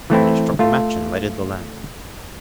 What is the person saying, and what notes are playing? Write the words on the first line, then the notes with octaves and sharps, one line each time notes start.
Then he struck a match and lighted the lamp.
E3 A3 C4 E4
A3 F4